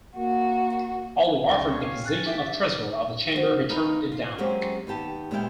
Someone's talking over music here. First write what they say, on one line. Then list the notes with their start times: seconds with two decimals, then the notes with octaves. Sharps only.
Although offered the position of Treasurer of the Chamber he turned it down.
0.16 A#3 F#4
1.49 C#2 D#5 G5
1.66 C#4 D4 C#5
1.81 C#5 F5
2.04 G#5 F#6 A6
2.25 G4 E5 G5 A6 B6
3.36 F3 F#4
3.69 D#4 A#4 B4 F5
4.12 F4
4.38 F#3 G#3 A#3 C4 C#4 G4
4.87 D#2 B3 G4 A5
5.31 A#2 G#3 B3 E5 F5 G5